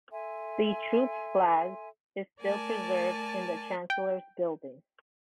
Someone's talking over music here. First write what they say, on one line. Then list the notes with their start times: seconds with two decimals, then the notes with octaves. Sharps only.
The troop's flag is still preserved in the Chancellor's building.
0.12 A4 E5 G#5 C6
2.40 A3 A#4 D5 G#5 A5
3.90 G5